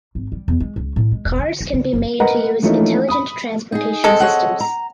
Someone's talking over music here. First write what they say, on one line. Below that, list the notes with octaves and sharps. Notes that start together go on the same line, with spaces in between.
Cars can be made to use intelligent transportation systems.
G#1
G3
E2
G#3
C#2
A2
G#3
E1
D3
C#2
C#3
F#1
A#4 B4 D#5 F#5 A#5
E3 F3 A3 A#3 C#4 D#4
B5 D#6
D#4 G#4
G#3 C4 A4
C#5 D#5 F#5
A#5